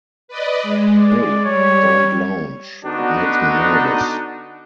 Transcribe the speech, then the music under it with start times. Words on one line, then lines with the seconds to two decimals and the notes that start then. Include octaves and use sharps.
No, don't lounge, it makes me nervous.
0.28 B4 D5 D#5
0.63 G#3
0.97 D5
1.45 G3 C#5
2.85 D3 B3 D4 D#4 F#4